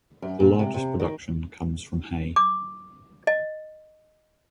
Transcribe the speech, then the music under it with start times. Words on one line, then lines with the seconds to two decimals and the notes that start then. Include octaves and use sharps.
The largest production comes from hay.
0.22 F#2
0.40 A#2
0.59 C3
0.74 C3
1.00 D#3
2.36 D6
3.27 D#5